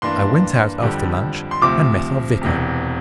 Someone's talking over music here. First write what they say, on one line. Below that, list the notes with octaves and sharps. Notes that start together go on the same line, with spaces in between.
I went out after lunch, and met our Vicar.
G2 E3 A#3 D4 C6
F2 D3 G3
C6
D2 C3 F3 D6
E1 E2 C3